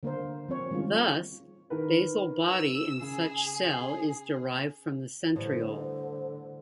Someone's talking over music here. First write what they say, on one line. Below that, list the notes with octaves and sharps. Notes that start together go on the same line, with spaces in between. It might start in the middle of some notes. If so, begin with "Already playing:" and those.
Thus, basal body in such cell is derived from the centriole.
D3 A#3 A#4 C5
F3 C4 C#5
D#3 G3 G#3 C#4 F4
D#3 A#4 B4
E6
C#3 G#4
A2 D3 E3 G3 C5